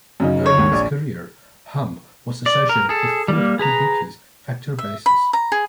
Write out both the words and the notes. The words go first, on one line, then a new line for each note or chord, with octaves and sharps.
Early in his career, Hamm was associated with Philip Kubicki's Factor basses.
F#2 C#3 D#4
C#5
D#2 G#2 D3
A#1 D5
D5
A#4
G#4 A4
G3 A#3
G#4 B4 A#5
E5
B5
A#5
G#4